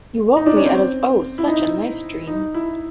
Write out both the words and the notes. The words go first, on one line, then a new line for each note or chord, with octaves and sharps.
You woke me out of, oh such a nice dream!
D#4
D4
C#4
C4
E4
D#4
D#4
E4